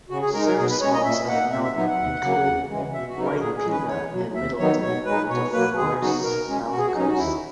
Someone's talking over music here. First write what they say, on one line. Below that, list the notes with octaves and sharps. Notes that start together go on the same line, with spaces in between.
Surf spots of note include Waitpinga and Middleton on the Far South Coast.
C#3 F#4
G#4
G#3 D#4 A#4
A#4
B2 G#4
B4
G#3 C#4 C#5
D#5
A#2 E5
A#3 D#4 F#5
A#2 E5
E5
F#3 B3 D#4 E5
F#5
D#2
C#3 F#3 A#3
E2
C#3 E3 G#3
B2 E5
F#4
F#3 B3 D#4
A#4
A#2 G#4
G#4
G#3 C#4
B4
E2 C#5
B2 F#3
D#2 E5
D#3 F#3 B3 D#4 C#5
B2 C#5
G#3 D#4 B4
B2 C#5
F#3 A#3 B4
D#2 G#4
C#3 F#3 B3 D#4 F#4
B2 A#4
G#3 C#4
B2 F#4
G#4
F#4
F#3 C#4 D#4
F#4
D#2 E4